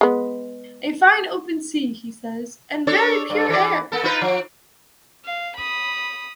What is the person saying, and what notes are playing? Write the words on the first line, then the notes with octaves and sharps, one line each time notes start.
A fine open sea, he says, and very pure air.
G#3 B3
D4 A4 C#5
G2
E3 D5
A#3 A4
D#4 F4 B4
F3
F5
B5 D#6